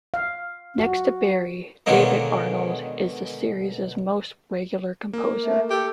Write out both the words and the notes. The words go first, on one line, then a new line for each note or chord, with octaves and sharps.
Next to Barry, David Arnold is the series' most regular composer.
F5
F#4
B2 D3 D#3 F#3 G#3 A#3
A#3
A3
G4 A4